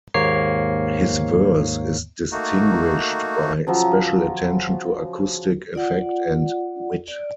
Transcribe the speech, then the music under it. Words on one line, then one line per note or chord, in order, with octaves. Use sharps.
His verse is distinguished by special attention to acoustic effect and wit.
D#2 G#2 A#3 C#5 C7
A3 A#3 D#4 F#4
C#3 F3 F#3
F4 D5 F#5
D5